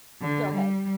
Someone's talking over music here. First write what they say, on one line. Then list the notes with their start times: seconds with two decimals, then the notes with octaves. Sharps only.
Go ahead.
0.21 D3
0.52 G3